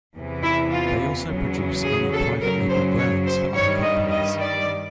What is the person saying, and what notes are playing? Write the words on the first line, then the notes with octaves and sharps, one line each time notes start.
They also produce many private label brands for other companies.
E2 C3 E3
E4
F4
E2 C#3 F#3
G#4
A4
F#2 C#3 F#3 A#4
C5
C#5
C5
G2 D#3 G3 C#5
D#5
D#5
D5